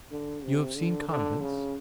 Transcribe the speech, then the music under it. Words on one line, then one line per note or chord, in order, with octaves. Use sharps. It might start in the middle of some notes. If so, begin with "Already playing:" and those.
"You have seen convents?"
D3
C3
D3
D3
C#3